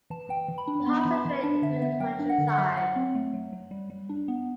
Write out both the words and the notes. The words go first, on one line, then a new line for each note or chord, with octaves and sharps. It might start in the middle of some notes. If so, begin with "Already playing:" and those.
He hops a train into the countryside.
E3 A5
E3 G5
E3
B5
D4
B3 C6
E3 B5
A5
E3 B5
D4 A5
D3 E5
B3 E5
F#3 G5
D4
F#5
D3
F#5
F#3 E5
F#3 F#5
C4
A3
F#3
F#3
G3
G3
D4
B3